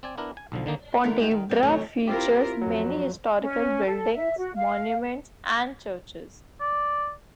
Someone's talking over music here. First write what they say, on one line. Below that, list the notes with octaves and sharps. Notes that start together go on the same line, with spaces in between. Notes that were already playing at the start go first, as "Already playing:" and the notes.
Pontevedra features many historical buildings, monuments, and churches.
C4 D5 G#5
B3 D4 E4 A#4
G#5
B1 D3 F3
D3 D#3 A#3 D#4
D3 E3 A3 B3 A#4
G#3 D#4 F4 G4
D#3
G3 B3 C4
C3 E3 F#3 A3 C#5
C4 E4 F4 G4 A#4
F2 F#3
C#4
A4
E5
F#4
F5
D5